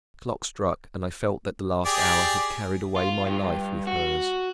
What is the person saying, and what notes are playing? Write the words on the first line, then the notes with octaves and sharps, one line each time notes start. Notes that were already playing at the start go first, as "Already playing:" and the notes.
The clock struck and I felt that the last hour had carried away my life with hers.
G4 G#4 D5
F4
G2
F#4